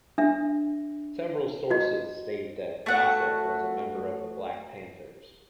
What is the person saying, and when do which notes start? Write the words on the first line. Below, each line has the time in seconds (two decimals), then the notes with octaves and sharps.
Several sources state that Gossett was a member of the Black Panthers.
0.18 D4 E5
1.70 F#4 D#5
2.86 A3 F#4 F#5